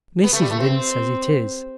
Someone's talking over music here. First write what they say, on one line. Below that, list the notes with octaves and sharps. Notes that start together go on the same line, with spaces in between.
Mrs. Lynde says it is.
B3
A3
G3
A3
C4